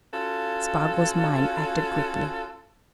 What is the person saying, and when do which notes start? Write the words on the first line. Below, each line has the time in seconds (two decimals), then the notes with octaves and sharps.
Spargo's mind acted quickly.
0.13 C#4 F4 F#4 A4